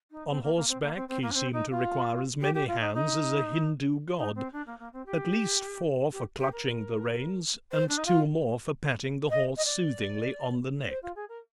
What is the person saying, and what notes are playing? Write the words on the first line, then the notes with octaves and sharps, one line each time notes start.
On horseback he seemed to require as many hands as a Hindu god, at least four for clutching the reins, and two more for patting the horse soothingly on the neck.
D#4
C4
A#3
A#3
C4
A#3
C4
C4
A#3
D4
C4
D#4
F4
G4
G4
F4
D#4
D#4
D#4
C4
D4
A#3
A#3
C4
G4
G4
G4
A#4
C5
D4
D#4
F4
D#5
D#5
D5
C5
F4
G#4
A#4